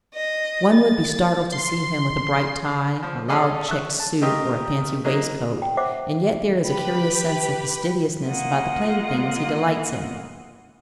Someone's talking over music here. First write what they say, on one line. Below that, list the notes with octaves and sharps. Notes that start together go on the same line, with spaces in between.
One would be startled to see him with a bright tie, a loud checked suit, or a fancy waistcoat, and yet there is a curious sense of fastidiousness about the plain things he delights in.
D#5
A6
C6
F3
C#4 F4 G#4 A4 D5 D#5
E5 C#6 F#6
A5
A3 D#4 F4 G4 A#4 D#5
F#3 A#3 D#4
G5
C5 E5 F#5 D6
G4 B4 B5
A#3 F4 D#5 F#5